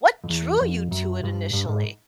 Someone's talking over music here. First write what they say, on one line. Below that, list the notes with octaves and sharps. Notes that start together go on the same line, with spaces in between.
what drew you to it initially?
F2
E2
F2
F#2
G2
G2
G#2